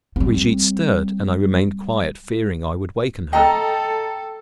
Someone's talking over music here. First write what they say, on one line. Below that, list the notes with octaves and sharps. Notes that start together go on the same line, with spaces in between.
Brigitte stirred and I remained quiet, fearing I would waken her.
G3 C4
A4 D#5 G5 A#5